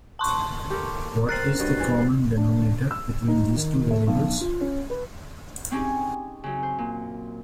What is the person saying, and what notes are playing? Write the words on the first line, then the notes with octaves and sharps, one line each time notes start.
What is the common denominator between these two variables?
A5 C6 C#6
G4 A4 A#4
C4 A#4 F#6 A6 C7
G2 F#4 D#5
E3 C4
D4
E6
D#4
D#3
A3
B1
F4
C#4
B4
C4 C#4 D#4 G4 G#4
F#2 C#3
C5
A#2